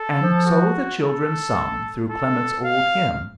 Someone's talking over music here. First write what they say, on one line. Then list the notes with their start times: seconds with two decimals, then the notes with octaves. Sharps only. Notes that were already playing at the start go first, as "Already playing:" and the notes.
And so the children sung through Clement's old hymn.
Already playing: A4
0.20 F3
0.46 F#4
1.01 A4
2.10 A4
2.64 F5